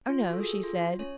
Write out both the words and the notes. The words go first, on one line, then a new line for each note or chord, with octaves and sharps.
"Oh no," she said.
F4
F#4
A4
G#4
F4
C#4 C#5